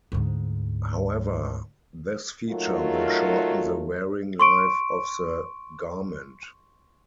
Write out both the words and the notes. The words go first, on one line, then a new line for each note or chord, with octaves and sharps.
However, this feature will shorten the wearing life of the garment.
D2 G#2
F#3 A3 D#4 F4 F#4 A#4
C6 C#6 D7